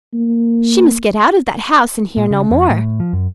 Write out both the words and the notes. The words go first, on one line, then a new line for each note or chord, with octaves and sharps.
She must get out of that house and hear no more.
A#3
A#2
C#3
F2
A2
F3
F#2